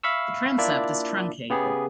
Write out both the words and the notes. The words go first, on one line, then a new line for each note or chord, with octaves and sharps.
The transept is truncated.
E5 F5 B5 C#6 E6
A#3 D4 E4 F4 D5 E5
C#3 B3 G4 G#4